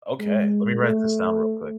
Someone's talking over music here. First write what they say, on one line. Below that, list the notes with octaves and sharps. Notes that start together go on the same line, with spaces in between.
Okay, let me write this down real quick.
G#3
A3